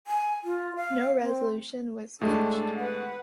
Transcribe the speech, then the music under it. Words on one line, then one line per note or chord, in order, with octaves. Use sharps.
No resolution was reached.
G#5
F4
F5
C4
A2 G#3 A3 D4 A4
B4 F#5